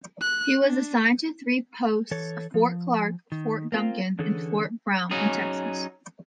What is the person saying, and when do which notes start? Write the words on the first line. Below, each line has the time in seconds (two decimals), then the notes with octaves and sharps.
He was assigned to three posts-Fort Clark, Fort Duncan, and Fort Brown-in Texas.
0.21 F#6
0.62 D4
2.11 E3 A4 C#5
2.54 F3
3.32 D#3
3.72 A#3 C4 D4 F4
4.19 D3 E3 C#4 G#4 A4
5.11 F#3 C#4 D#4 G#4